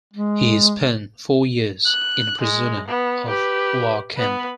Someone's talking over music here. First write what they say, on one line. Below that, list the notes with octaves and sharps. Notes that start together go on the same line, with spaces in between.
He spent four years in a prisoner of war camp.
G#3
F#6
G#3
B3
G4 B4
B3 B4